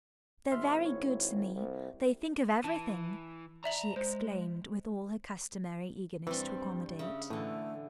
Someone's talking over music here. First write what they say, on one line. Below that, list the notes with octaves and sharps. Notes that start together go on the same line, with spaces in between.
"They're very good to me--they think of everything!" she exclaimed with all her customary eagerness to accommodate.
G#1 E5 C6 F6
E4 C#5
C2
E3 A5
D5 E5 A5 A#5 F#7
G#3 C5
G2 E3 G3 C4
C#3 E5
A2 D3 E3 A3